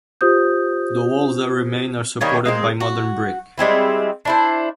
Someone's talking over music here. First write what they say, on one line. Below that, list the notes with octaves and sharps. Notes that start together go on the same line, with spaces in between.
The walls that remain are supported by modern brick.
F4 G4 C5 D#6 G6
D#3 G3 A#3 C#5
G#3 A#3 C4
F#4
G3 G#3 C4 E4
D4 E4 C5